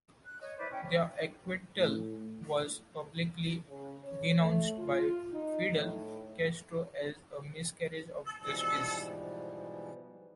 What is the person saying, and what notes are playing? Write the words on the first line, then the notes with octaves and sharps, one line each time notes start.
Their acquittal was publicly denounced by Fidel Castro as a miscarriage of justice.
F#6
C#5 D#5
E4 B4 C5 D5
C#4 G5
A2
C#3
C#5
A3
F4
D#4
A2
G#2 B2 E3 F3 G3